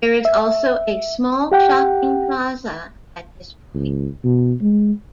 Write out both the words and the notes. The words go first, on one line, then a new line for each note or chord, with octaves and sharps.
There is also a small shopping plaza at this point.
E5
G4 F#5 G5
C#2
B2
G#3